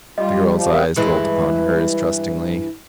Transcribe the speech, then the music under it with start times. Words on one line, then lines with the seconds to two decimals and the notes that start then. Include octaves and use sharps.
The girl's eyes dwelt upon hers trustingly.
0.18 G3 F4 G4 D#5
0.52 F3
0.72 C4 A#4 F5 D#6
0.96 G2 E3 G#3